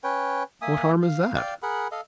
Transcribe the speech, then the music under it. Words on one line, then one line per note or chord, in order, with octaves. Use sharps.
What harm is that?
C#4 B4 C#5 G5
A#3 E5 G#5 D#6
F5
D5 F5 G5
G#4 A#4 F#5 B5
A4 D#5 F5